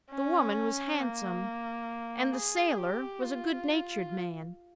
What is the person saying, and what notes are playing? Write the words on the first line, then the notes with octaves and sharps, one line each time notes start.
The woman was handsome, and the sailor was a good-natured man.
C#4
A#3
G#4
G4
F4